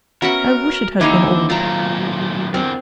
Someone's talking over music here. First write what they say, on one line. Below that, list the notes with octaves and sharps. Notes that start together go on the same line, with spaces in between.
I wish it had been all.
B3 C#4 F#4 A#4 E5 F#5 A#5
D#2 D3 A#3 C4 D#4 E4 D#5 F5
D#2 A#2 F#3 A3 F4 A#5
E2 D3 C4 A#4